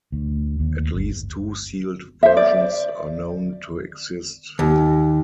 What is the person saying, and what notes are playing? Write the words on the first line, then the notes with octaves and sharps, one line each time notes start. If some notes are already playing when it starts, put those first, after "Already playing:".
At least two sealed versions are known to exist.
D2
D#2
G1
C5 E5
D5
D#2